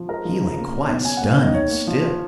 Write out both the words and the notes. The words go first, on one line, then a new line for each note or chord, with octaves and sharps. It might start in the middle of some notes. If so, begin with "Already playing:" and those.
He lay quite stunned and still.
Already playing: F3
G#3 A#4
F3
C#3
A#3
F#3
B2
C#4 G#5
A#3 F#5
F5
D#3 D#5
D#4 C#5
A#3
F3
F4